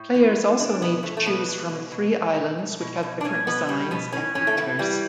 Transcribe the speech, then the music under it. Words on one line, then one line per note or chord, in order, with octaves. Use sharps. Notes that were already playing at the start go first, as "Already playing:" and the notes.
Players also need to choose from three islands which have different designs and features.
Already playing: A2
E3
E3
B2 D4
B2 B3
B2 A3
A3
B2 B3
B2
B2
B2
B2
B2
B2
B2
B2
D4
B2 C#4
B2 B3
B2 G3
B2 B3
A2 C#4
A2 C#4
A3
E3 B3
E3 G3